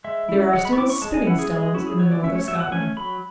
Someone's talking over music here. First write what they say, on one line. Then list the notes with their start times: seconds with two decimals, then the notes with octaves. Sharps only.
There are still "spitting stones" in the north of Scotland.
0.04 G#3 E5
0.29 C#4 E4
0.53 G#3 F#5
0.65 B5
0.73 C#6
0.77 C#4 E4 D6
0.90 C#6
1.02 G#3 A5
1.14 G#5
1.26 C#4 E4 F#5
1.39 G#4
1.50 G#3 G#4
1.63 G#4
1.75 C#4 E4 F#4
1.86 G#4
1.99 F#3 C#5
2.11 D5
2.23 A3 C#4 E5
2.35 C#5
2.48 F#3 E5
2.60 F#5
2.72 A3 C#4 G#5
2.97 F#3 B5